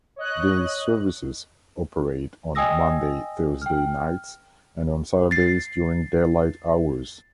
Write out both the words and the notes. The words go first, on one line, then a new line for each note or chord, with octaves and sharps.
These services operate on Monday - Thursday nights and on Saturdays during daylight hours.
C#5 D#5 F#6
D#5 G5 G#5 D#6 E6 A#6
G5 F6
A6 C7